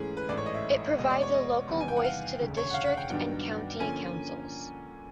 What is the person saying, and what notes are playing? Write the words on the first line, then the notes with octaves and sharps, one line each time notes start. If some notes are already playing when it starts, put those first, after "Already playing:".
It provides a local voice to the district and county councils.
Already playing: G#2 E3 A3 C#4 G#4
B4
A1 G#2 E3 A3 D5
C#5
D#5
E5
E2 B2 G#3 B3 D#5
D5
C#5
D#5
E2 C3 D#3 G3 B3
G#5
G5
F#5
F5
E1 D2 C#3
C#5
F#5
F5
F#5
G5
G2 D#3 F#3 B3 D4 G5
D3 F3 A#3 C#4 G#5